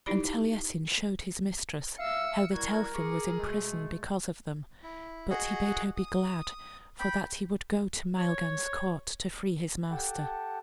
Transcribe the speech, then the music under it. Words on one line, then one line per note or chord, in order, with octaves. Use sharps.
And Taliesin showed his mistress how that Elphin was in prison because of them; but he bade her be glad, for that he would go to Maelgan's court to free his master.
D#4 E4 G4 D5 B5
E5 F5 E6 C#7
G3 E4 F#4 A#4 G#6
G#4 C#6 D6
B2 G#3 A3
E4
F#4 G#4 D#5 F#5
D#6
G5 B5
C#5
G4 A4 F#5 G5 A5